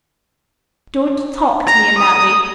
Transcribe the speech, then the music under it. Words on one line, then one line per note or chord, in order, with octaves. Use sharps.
Don't talk to me in that way.
A#5
D#6